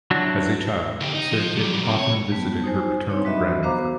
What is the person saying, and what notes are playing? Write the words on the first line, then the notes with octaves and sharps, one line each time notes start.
As a child, Sirikit often visited her paternal grandmother.
F#3 D4 E4 F#4
D2 G4
D#4
F3
F#3 G3
F#2 C3
C#5
F#3 G3 A3 B3
D#4 C5 G#5
C4 D#4 C#5
F#3 D4 F#4 D#5 E5 B5
B3 F#4 C5 F5 A#5 D6